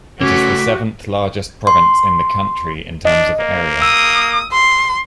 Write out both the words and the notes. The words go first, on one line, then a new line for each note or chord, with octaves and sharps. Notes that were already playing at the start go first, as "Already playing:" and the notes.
It is the seventh largest province in the country in terms of area.
C#3 A3 C#4 F#4 D6 B6
C6
D4 D#5
A#3
D#6 E6
C6